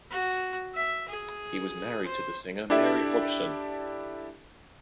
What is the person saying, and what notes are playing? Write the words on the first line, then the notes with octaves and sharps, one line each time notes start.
He was married to the singer Mary Hodgson.
F#4
E5
G#4
C5
D4 E4 G4 A4 D5 E5